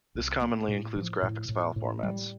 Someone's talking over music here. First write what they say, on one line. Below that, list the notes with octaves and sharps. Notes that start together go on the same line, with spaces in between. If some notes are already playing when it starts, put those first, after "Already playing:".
This commonly includes graphics file formats.
C2
A#3
A2
F3
A2
A2
A2
G3